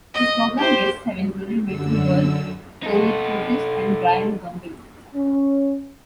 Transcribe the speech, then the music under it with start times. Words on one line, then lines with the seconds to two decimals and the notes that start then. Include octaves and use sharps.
His program guests have included Milton Berle, Tony Curtis, and Bryant Gumbel.
0.14 D#5
0.57 G4 C5
1.63 F#2 D3 E6
2.83 D#4 A4
5.15 C#4